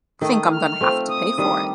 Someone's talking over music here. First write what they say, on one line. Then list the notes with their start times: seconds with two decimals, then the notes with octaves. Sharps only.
Think I'm gonna have to pay for it.
0.21 D#3 A3 D#4 D#6
0.51 F6
0.81 A3 C4 F4
1.09 D#6
1.38 D#3 G3 D4 A4 D#6